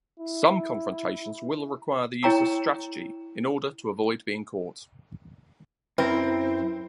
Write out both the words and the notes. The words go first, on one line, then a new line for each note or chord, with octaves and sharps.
Some confrontations will require the use of strategy in order to avoid being caught.
E4
E4 C#5 G5 A#5 C#6 E6
F#2 C4 E4 A#4 B4